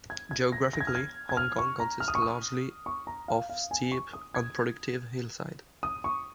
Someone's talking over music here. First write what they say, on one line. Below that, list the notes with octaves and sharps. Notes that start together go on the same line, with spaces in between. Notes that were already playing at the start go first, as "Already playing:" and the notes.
Geographically Hong Kong consists largely of steep, unproductive hillside.
G#6
G#6
A#6
A#6
G#6
F6
G#6
G#6
F6
C#6
A#5
F6
D#6
C#6
D#6
C#6
A#5
F5
F5
G#5
C#6
D#6
G#6
D#6
C#6